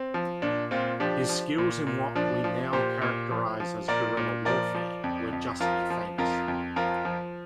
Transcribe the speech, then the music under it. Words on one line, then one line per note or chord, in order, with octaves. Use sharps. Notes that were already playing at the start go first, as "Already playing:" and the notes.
His skills in what we now characterize as guerrilla warfare were justly famous.
Already playing: C4
F3
A#2 D4
A#2 C4 F4
F3 D4 G4
F3
A#2
A#2
F3 D4
F3
A#2 G4 C5
A#2
F3
F3
A#2 A#4 D5
A#2
F3 A#4 D5
F3
F2
F2
F3 F4 A#4
F3
F2 F4 A#4
F2
F3 F4 A#4
F3